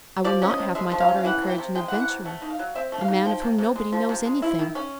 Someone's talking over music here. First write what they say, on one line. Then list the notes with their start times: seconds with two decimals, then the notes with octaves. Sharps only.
I will not have my daughter encourage an adventurer,--a man of whom nobody knows anything.
0.24 F3 D5
0.42 C#4
0.50 D#5
0.58 C3
0.75 G#3 E5
0.92 F3
1.00 F5
1.09 C#4
1.18 F5
1.25 E3 F#5
1.42 C3
1.50 G5
1.58 C3
1.75 G#3 G5
1.88 F#5
1.91 E3
2.00 F#5
2.08 C3
2.25 A3 F#5
2.42 D#4
2.50 F5
2.59 F#3
2.75 C4 E5
2.92 A3
3.01 F5
3.08 D#4
3.25 F3 G5
3.42 C3
3.58 C3
3.76 G#3
3.93 F3
4.09 C3
4.25 G#3
4.42 E4
4.59 D#3
4.75 C#4